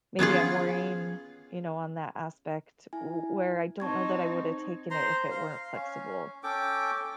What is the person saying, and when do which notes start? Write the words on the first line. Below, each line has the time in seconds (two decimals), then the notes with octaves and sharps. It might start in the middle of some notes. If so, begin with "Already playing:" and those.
Maybe I'm worrying, you know, on that aspect wh where I don't know that I woulda taken it if it weren't flexible.
0.19 B3 C#4 F4 G#4
2.93 E4 G#5
3.80 C4 D#4 A5 C#6 G#6
4.91 C5 A#5 C6
5.31 F5
5.75 C#4
6.43 C#4 A4 G5 D6